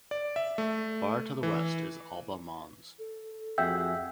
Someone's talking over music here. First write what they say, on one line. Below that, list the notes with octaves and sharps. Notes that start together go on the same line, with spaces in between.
Far to the west is Alba Mons.
D5
E5
A3
E3
A4
F2 F#4 G#4 E5 G5 E6 G6